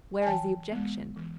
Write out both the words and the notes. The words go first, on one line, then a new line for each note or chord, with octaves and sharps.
Where is the objection?
G#5
E3 G5 A5
G#3 B3
E3